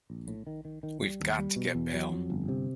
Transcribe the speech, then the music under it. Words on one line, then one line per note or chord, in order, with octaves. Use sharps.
We've got to get bail.
A#1
A2
D#3
D#3
D#3
G3
D#2
G3
B2
E2
F#3
F2
G1
C3